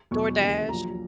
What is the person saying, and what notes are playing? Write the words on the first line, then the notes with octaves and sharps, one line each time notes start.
DoorDash an
E2 B2 F#3 C#6
D#2 C#3 E3
A#1 A#2 F#3 A#5